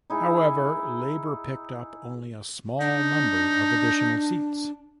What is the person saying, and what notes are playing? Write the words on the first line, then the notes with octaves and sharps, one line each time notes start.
However, Labor picked up only a small number of additional seats.
D#4 E4 G#4
D4 D#4